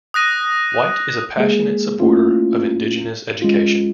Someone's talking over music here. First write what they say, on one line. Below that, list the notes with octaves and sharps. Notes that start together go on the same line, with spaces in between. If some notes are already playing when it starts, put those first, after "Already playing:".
White is a passionate supporter of indigenous education.
D#6 F#6 A#6 D#7
G#3 A#3 G#4
A3 A#3 C#4 E4 F4
G#3 C#4 F4